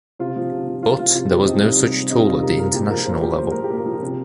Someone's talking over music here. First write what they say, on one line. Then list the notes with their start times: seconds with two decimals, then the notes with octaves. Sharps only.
But, there was no such tool at the international level.
0.19 C3 F4
0.36 F3
0.52 C3
0.67 F3
0.83 C3 F4
0.99 F3 F4
1.14 C3 F4
1.30 F3 G4
1.47 C3 D#4
1.63 G3
1.79 C3
1.95 G3
2.10 C3 D#4
2.27 G3 F4
2.42 C3 A#4
2.59 G3 A#4
2.74 A#2 G4
2.91 F3 A#4
3.06 A#2 C5
3.22 F3 G4
3.38 A#2 C5
3.52 F3 A#4
3.64 G4
3.70 A#2
3.78 A#4
3.86 F3
4.02 C3